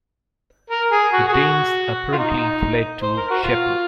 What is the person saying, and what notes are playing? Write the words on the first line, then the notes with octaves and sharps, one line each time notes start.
The Danes apparently fled to Sheppey.
A#4
G#4
F#4
G#4
F#4
F4
D#4
C5
A#4
F#4
F4